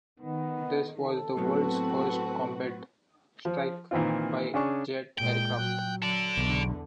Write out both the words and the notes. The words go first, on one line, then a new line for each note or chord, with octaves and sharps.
This was the world's first combat strike by jet aircraft.
D#3 B3
A4
A2 F#3 B3 C4 F#4 B4
F3
A#2 D#3 E3 C4 F4
C#3 C#4 D4 G#4 C#6
A#2 G#3 G5 D7
F#3 F#6
F#3 A4 D5 D7
B1 E2 D3